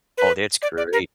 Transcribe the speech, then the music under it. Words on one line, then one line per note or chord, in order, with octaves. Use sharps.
Oh, that's great.
B4
D5
D5
A#4